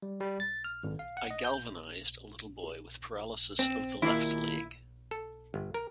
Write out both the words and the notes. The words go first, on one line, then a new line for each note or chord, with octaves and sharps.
I galvanized a little boy with paralysis of the left leg.
G3
G3
A6
F6
G#1
F5
F#5
D#5
G6
C4
D#2 A#2 A#3 E4
A4
G1
A#4